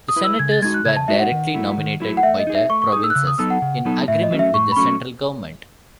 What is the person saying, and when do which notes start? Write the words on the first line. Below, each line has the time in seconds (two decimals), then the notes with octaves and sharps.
The senators were directly nominated by the provinces in agreement with the central government.
0.09 D#6
0.16 E4 B4
0.24 E6
0.39 C#3 G#6
0.51 A6
0.62 G#3 D#4 F#4 G#6
0.74 F#6
0.85 C#3 G#6
0.96 A5
1.08 G#3 D#4 F#4 E5
1.19 F#5
1.32 D#3
1.54 F#3 A3 E4
1.78 D#3
2.00 F#3 A3 E4
2.17 F#5
2.23 A3 E5
2.39 D#5
2.47 D#4 G#4
2.55 E5
2.70 A3 C#6
2.82 C#6
2.92 D#4 G#4 D#6
3.04 E6
3.10 F#6
3.15 C#3 E6
3.27 D#6
3.38 F#3 B3 D#4 A4 E6
3.50 F#5
3.62 C#3
3.85 F#3 B3 D#4 A4
4.08 A2 E5
4.23 D#5
4.31 F#3 A3 C#4
4.39 E5
4.54 A2 C#6
4.72 B5
4.76 F#3 A3 C#4 C#6